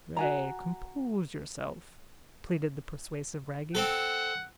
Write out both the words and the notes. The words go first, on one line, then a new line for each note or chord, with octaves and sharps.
"Pray compose yourself," pleaded the persuasive Wragge.
F#4 G#5 A#5
C4 A4 F#5